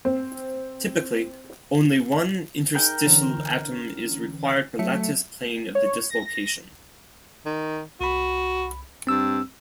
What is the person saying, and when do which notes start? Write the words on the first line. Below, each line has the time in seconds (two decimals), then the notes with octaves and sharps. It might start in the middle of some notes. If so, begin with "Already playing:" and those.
Typically only one interstitial atom is required per lattice plane of the dislocation.
0.05 C4
2.75 D#4 G#4 A#4 G5
3.04 D3 E3 C#4
4.79 F#3 A3 E5 C#7
5.75 C#5
6.10 A#6
7.46 D#3
8.01 C2 F#4 B5
9.07 G2 C4 E6